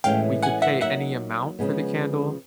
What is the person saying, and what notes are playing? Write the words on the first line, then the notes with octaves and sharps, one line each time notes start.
we could pay any amount for the candle,
A2 E3 G#3 C#4 F5 G5
F#5 G#5
E5 F#5
F#3 A#3 D#4 E5 F#5
C#3 F3 G#3 B3